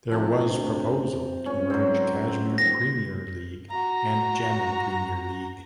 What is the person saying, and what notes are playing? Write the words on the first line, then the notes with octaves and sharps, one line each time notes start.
There was proposal to merge Kashmir Premier League and Jammu Premier League.
C3 F3 A5
D2
C#2 C#4 C#6
F#3 C4
D#1 A#6
F#4 A#5